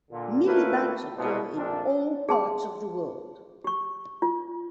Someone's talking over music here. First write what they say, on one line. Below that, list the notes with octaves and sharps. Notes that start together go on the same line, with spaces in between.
Mealybugs occur in all parts of the world.
A#2 D3
D3 A3 A#3 C#4 E4 B4
C2 B2
A#1 F2 A#2 A3 D4
G#4 A5 C6
G4 C#6
F4